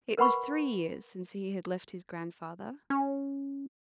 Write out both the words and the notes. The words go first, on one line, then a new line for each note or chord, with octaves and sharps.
It was three years since he had left his grandfather.
A#4 B4 F#5 B5 C#6
C#4